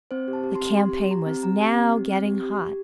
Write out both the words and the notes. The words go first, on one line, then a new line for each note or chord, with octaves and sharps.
The campaign was now getting hot.
C4 C5
G4
A5
G4
C6
C4
G4 C6
G4
G4 A#5
C4
C4 A#5
G4
C4
C4
C4
G4
G4
G4